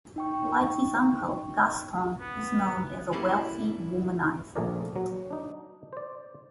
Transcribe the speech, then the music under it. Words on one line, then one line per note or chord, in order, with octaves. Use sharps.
Like his uncle, Gaston is known as a wealthy womanizer.
D#4 G5 C#6
B3
G3 A#3 C#4 E4 A4
A#1 F3 A3 G#4 A#4 D5
F#3
D4 D#4
C5 D5